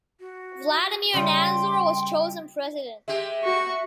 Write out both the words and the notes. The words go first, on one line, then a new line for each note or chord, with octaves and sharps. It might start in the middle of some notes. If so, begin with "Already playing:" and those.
Vladimir Nazor was chosen president.
F#4
C#3 G3 G5 C6
G#3 G4 E5
F#4 C#6